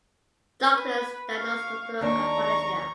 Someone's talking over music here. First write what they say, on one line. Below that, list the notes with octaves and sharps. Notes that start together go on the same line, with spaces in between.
Doctors diagnosed total alopecia.
B4
F5 C#6
D#2 D4 A#5 C#6